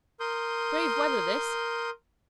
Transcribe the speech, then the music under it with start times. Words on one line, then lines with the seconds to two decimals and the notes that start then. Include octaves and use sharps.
Brave weather this!
0.20 A#4 C6 D#6 G6